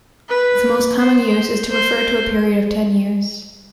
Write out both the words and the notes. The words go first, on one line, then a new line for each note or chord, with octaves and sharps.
The most common use is to refer to a period of ten years.
B4
C5
C5